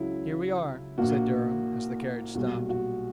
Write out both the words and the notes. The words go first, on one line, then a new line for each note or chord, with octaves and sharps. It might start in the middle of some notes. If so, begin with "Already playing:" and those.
"Here we are," said Durham, as the carriage stopped.
Already playing: C#2 C#3 F#3 E4
A#1 A#2 A#3 F#4
B1 A#2 G3 F#4
F#4